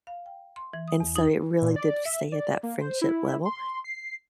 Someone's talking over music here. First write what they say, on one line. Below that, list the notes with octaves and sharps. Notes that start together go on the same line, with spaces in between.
And so it really did stay at that friendship level,
F5
G5
C6
E3
D#6
E2
D#4
A#2
D5
E5
D5
A#3
C5
E4
C6
C7